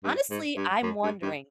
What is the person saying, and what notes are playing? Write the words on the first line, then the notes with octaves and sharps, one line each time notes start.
honestly, I'm wondering
G2
G#2
G2
F#2
G2
G2